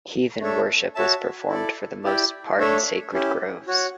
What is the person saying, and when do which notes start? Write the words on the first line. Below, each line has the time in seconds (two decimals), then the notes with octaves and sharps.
Heathen worship was performed for the most part in sacred groves.
0.41 A3 D4 A4 C#5 E5
0.95 F#4 C#5 E5 A5
1.49 E4 A4 D5
2.04 E4 G4 D5 G5
2.59 A3 D4 A4 C#5 E5
3.13 C#4 E4 G4
3.67 F#4 C#5 F#5